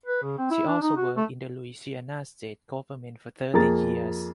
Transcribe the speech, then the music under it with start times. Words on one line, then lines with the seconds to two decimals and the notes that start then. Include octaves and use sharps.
She also worked in the Louisiana state government for thirty years.
0.06 B4
0.23 C#3
0.38 C4
0.51 E4
0.67 D4
0.82 D#4
0.97 F#4
1.17 A3
3.53 F2 A#3 G#4 A#5 A6